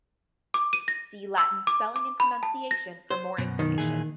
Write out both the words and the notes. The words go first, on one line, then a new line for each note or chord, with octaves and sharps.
See Latin spelling and pronunciation for more information.
D6
D#7
A#6
E6
D6
D6
B5
A5
A#6
C5
F#2 B2
D#3
A#2 E3 G#4